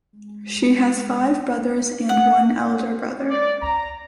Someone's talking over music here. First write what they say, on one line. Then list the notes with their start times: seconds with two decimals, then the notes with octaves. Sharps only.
She has five brothers and one elder brother.
2.09 F#5
3.29 D5
3.60 A#5